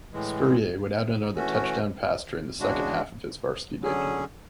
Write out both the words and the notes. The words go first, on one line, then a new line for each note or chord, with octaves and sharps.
Spurrier would add another touchdown pass during the second half of his varsity debut.
A2 E3 G#3
E3 A3 C#4 F#4
E2 C#3 G#3 D4 F#4
D3 F#3 C#4 G#4